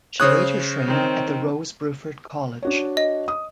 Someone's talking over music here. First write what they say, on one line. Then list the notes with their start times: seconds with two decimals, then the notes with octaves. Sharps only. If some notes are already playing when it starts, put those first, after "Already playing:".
She later trained at the Rose Bruford College.
0.20 C#3 C5 C#5 D#6 F#6
0.87 D#3 C4
2.63 D4 F#4 C#5
2.97 D#5
3.28 D#6